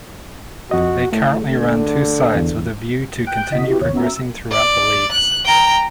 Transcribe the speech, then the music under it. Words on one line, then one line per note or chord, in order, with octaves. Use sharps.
They currently run two sides with a view to continue progressing throughout the leagues.
F2 F#4 D#5
A2 A3
D3
E2
G5 F#6 G6 D7
C#3 E3 F#4 D#5 B6
B3 E4 F#4 G4
D#2 C3 C#5
B3 C#4 F#4 E5 A#5
E6
D5
F#6
G5 A#5